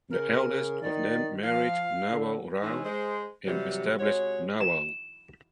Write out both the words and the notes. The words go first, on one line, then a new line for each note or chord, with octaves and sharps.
The eldest of them married Nawal Rao and established Nawal.
C#3 A#4
D#3 D5
F3 F5
D3
E3 G#3 C#4 D#4
G#3 C5
G2 C3 E3 F#3 G3
C3 G#3 F#4 C#5
E7